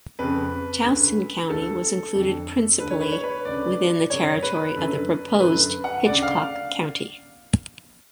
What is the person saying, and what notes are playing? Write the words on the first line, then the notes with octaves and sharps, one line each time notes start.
Towson County was included principally within the territory of the proposed Hitchcock County.
F2 C#3 B4
D2 C#3
D2 D3 A4
F2 D3
D2 D3 B4
C#5
B4
C#5
B4
D2 C#3 D5
F#2 C#3 C#5
B4
F#2 D3
F#2 D3 B4
F#5
D2 C#3 D5
F5